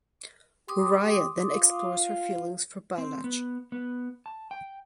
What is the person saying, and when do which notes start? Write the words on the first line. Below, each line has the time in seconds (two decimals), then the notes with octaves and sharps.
Hooriya then explores her feelings for Balaj.
0.68 G4 C6 D6 D#6
1.52 F4
2.98 C4
3.24 B3
3.72 B3
4.26 A5
4.51 G5